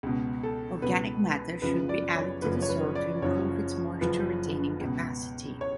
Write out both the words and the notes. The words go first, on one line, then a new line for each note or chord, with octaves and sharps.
Organic matter should be added to the soil to improve its moisture-retaining capacity.
C#2 B2
A4
C#2 B2 B4
F#1 F#2 C#3 F3 B4
D5
C#5
F#1 F#2 C#3 F3 B4
C#5
B4
D5
F#1 F#2 F3 C#5
F#1 F#2 F3 B4
C#2 B2
C#5